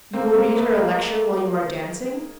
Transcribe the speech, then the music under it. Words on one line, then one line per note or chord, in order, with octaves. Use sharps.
"You will read her a lecture while you are dancing?"
A#3 C4
A#3 C4
A3 B3
G#3 A#3